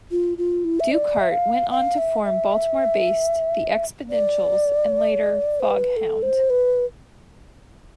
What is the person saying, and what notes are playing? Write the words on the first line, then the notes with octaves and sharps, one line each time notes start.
Dukehart went on to form Baltimore-based The Expotentials and later Foghound.
F4
F4
E4
E5
D5
E5
F5
F5
E5
E5
D5
C5
B4
A4
C5
B4